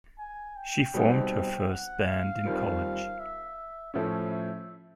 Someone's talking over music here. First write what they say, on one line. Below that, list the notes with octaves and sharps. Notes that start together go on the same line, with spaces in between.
She formed her first band in college.
G#5
G5
B2 G3 C4 D#4
F#5
F5
D#2 D#3 G3 C4 F4
E5
A2 F3 A3 C#4 E5
E5